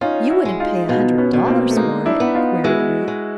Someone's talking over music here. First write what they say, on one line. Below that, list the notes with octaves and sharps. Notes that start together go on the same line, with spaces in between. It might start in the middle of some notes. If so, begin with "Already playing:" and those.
"You wouldn't pay a hundred dollars for it?" queried Ruth.
C#4 D#4 F4
E4 F#4
G#3
D#4 F4
B2 D#4 F4
B3 C#4
B2
A#3 C4
A3
G#3 A#3 D#4
D4 E4
B3
D#4 F4
G#3 E4 F#4
G#3